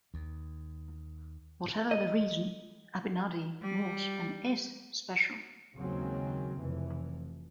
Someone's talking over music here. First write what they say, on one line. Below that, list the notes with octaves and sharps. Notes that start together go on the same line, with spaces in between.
Whatever the reason, Abinadi was and is special.
D#2
D#5
G3
D#2 C#3 F#3 G#3 A#3 C4
F1 E3